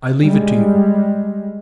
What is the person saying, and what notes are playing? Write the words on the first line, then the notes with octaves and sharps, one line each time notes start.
I leave it to you.
G3 G#3